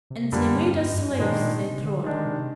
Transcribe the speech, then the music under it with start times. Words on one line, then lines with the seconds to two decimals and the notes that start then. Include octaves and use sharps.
"And they made us slaves," said Trot.
0.10 C3
0.32 F2 D3 G3 A#3 D4
0.54 G2
0.76 G2
0.92 F2
0.97 G2
1.19 A#2 D#3 G#3 D4
1.40 A#2
1.61 C3
1.83 D3
2.04 D#3 G#3 D4
2.25 C3